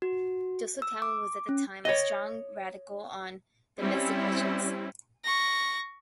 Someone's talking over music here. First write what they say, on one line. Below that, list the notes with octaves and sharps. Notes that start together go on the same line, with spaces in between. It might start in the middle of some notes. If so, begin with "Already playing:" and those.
Joseph Cowen was at that time a strong Radical on domestic questions.
F#4
E6
D6
C#4
C#5 D#5
G3 C4 C#4 E4
C#6 A#6